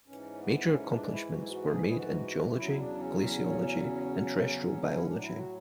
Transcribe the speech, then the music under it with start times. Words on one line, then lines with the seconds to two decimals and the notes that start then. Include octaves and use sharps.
Major accomplishments were made in geology, glaciology and terrestrial biology.
0.07 G#2 E3 C#4
0.39 B3
0.70 C#4
0.91 D4
1.12 E4
1.32 F#4
1.41 E4
1.49 F#4
1.64 G#4
1.89 E4
1.95 F#4
2.51 F#4
2.57 E2 C#3 F#3 E4
2.78 D4
2.99 C#4
3.19 C#4
4.95 E4
5.07 A2 F#3 D4
5.22 E4
5.37 F#4